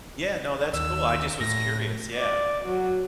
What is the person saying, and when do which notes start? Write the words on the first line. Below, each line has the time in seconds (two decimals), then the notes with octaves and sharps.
yeah, no, that's cool. I just was curious, yeah.
0.73 D#2 E6
1.40 A2 A#6
2.15 D5
2.66 F#3